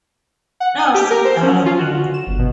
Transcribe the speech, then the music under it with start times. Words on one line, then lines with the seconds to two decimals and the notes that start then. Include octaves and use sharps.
Now sit down again.
0.60 F#5
0.79 G#5
0.94 G4
1.10 A#4
1.25 C5
1.43 C#4
1.66 F4
1.78 F#4
2.14 E7
2.27 G1
2.39 B2